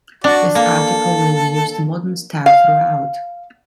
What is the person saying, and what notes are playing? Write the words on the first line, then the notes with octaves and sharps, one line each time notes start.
This article will use the modern style throughout.
D4 F#4 D5
A#3 A4
F5